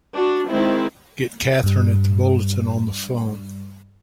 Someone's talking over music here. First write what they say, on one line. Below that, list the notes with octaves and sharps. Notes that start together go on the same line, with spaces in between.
Get Katherine at the Bulletin on the phone!
D4 F#4
D#3 G#3 C4 E4
G2 G3